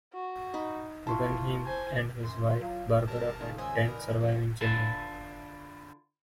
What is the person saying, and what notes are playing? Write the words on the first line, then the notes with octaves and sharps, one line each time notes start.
Guggenheim and his wife Barbara had ten surviving children.
F#4
D#4 B5
E4 F4 A5 C6 C#6
C5 G#5
F#2 C6
F#3 F4 F5
G#1 F#2 G3 A#4 A5
C#2 G#2 D#3 F4 G#4 A4
G#2 C#3 C5 D#5 G#5 E6
A#4 B4 D5
A1 F#2 F3 F#4
D3 F4 B4 E5 G#5 A5